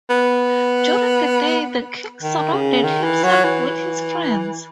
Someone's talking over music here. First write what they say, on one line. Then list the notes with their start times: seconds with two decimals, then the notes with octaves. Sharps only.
During the day, the king surrounded himself with his friends.
0.10 B3
2.23 D#3
2.53 C#3
2.83 D#3
3.03 E3
3.24 F#3
3.44 E3